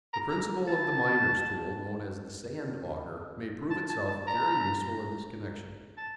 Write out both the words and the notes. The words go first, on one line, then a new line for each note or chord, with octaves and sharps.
The principle of the miner's tool known as the "sand-auger" may prove itself very useful in this connection.
A#5
A#5
A5
A5
A5
A5
A#5
A5